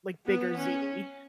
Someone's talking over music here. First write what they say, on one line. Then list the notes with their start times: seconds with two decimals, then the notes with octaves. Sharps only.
like, bigger ziti.
0.26 B3
0.57 C#4